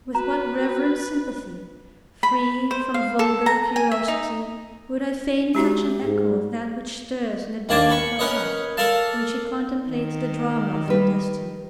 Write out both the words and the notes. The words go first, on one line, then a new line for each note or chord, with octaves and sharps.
With what reverent sympathy, free from vulgar curiosity, would I fain catch an echo of that which stirs in the depths of her heart when she contemplates the drama of her destiny.
F#4 B4 A#5
B5
C5
F5
A4
A#5
G#5
E5
D#4
G#3 D#4 F#4 G4
G#2
D#2 A#3 D4 G#5 A5 D6
B5 C#6
C#4 A#4 B4 C#5 D#5
A4 A#4 D5 F5 A5
D#3
G3 B4